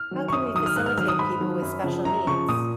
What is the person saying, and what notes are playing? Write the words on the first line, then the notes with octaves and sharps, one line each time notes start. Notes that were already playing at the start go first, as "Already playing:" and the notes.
How can we facilitate people with special needs?
Already playing: F6
D#3 F#3
C#6
F#2 D#6
D#3 F#3 D#6
F6
G#2 F#6
F6
D#3 F#3 F6
D#6
G#2 B5
D#3 F#3
F#2
C#3 F3
F#2 A#5
C#3 F3 C#6
A#2 D#6